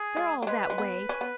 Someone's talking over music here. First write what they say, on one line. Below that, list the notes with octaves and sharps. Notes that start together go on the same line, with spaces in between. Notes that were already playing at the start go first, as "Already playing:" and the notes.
They're all that way.
Already playing: G#4
G#3
F#3
G#3 B4
G#3
B3
C#4
B3